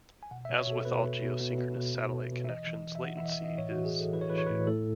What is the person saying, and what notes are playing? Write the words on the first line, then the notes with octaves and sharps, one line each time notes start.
As with all geosynchronous satellite connections, latency is an issue.
G#5
B2 F#5
E5
B2
C#5
B2
A4
B2 B4
B2
B2
B2
B2
B2
B2
B2
B2
E5
E3 D#5
E3
E3
E5
E3 F#5
E5
E3 D#5
E5
E3 D#5
A2 C#5
F#4
E3
G#4
E3 A4
E3 B4
C#5
E3 B4
C#5
B4
A2
A2 A4